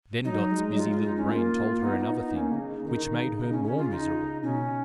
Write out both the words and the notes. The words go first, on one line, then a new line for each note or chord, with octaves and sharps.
Then Dot's busy little brain told her another thing, which made her more miserable.
F#3 D#4
G#3
F#3
G#3 F4
F4
D#4
C#4
A#3 F4
B3 D#4
D#4
D#4
A#3 C#4
C#3 D#4
C#3
D#3 D#4
C#3
D#4
C#4
C#4
F4
D#4
B2 C#4